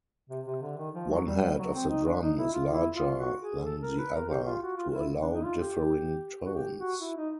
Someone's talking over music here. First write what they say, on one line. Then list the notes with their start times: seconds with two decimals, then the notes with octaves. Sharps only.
One head of the drum is larger than the other to allow differing tones.
0.30 C3
0.46 C3
0.62 D3
0.78 D#3
0.94 F3
1.10 F#3
1.26 G3
1.41 G3
1.58 F#3
1.74 C4
1.89 D#4
2.05 D4
2.22 D#4
2.38 E4
2.53 F4
2.70 E4
2.94 F4
3.18 F#4
3.41 G#4
3.65 A4
3.82 A#4
3.98 B4
4.13 A#4
4.29 G4
4.46 F4
4.62 F#4
4.77 F4
4.89 F4
4.94 E4
5.22 D4
5.34 D#4
5.45 F4
5.57 G4
6.45 F#4
6.54 G4
6.78 F#4
7.01 E4
7.17 D#4